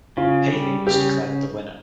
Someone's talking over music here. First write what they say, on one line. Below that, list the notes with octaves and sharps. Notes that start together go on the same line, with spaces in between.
Haley was declared the winner.
C#3 F4
G3
C#3 G4